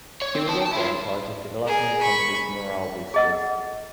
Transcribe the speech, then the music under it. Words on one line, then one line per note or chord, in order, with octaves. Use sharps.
He was also in charge of developing the company’s morale boosters.
C#5
C4
C5 A5
G5 A5
E4 F4
G#4 A#4
B5 C#6
G#4 D#5 F#5